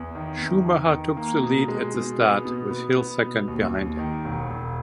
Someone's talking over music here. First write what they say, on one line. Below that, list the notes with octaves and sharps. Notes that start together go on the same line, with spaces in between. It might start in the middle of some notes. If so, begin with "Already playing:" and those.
Schumacher took the lead at the start, with Hill second behind him.
Already playing: E2
D#3
E2
D#3
D#3
A#3
B2
G#3
B2
B3
B2
B3
B3
B2
D#2
D#2
D#3
E1
E1